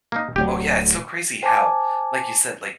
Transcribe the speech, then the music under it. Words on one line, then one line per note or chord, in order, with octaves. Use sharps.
Oh, yeah it's so crazy how, like you said, like
A#3 D#4
D1 D2 F#3 G4
C5 G#5 A5 D6